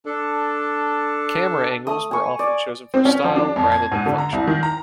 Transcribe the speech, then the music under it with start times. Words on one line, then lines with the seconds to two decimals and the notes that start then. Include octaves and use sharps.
Camera angles were often chosen for style rather than function.
0.06 D4 A4
1.87 A3 D#6
2.11 G#5 C#6
2.39 D5
2.94 C4
3.05 C#4
3.24 F3
3.36 D4
3.56 F2
3.72 G#6
3.92 G#2
4.06 D3
4.18 A#5
4.32 C2
4.47 D#3
4.63 A#5